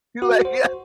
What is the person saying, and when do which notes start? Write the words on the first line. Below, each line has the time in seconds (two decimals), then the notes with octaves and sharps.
you, like yeah.
0.22 F#4
0.45 C5